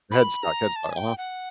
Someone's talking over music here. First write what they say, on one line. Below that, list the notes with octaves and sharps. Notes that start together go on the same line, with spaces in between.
Headstock Headstock, uh-huh.
B5
A#5
A5
G#5
G5
F#5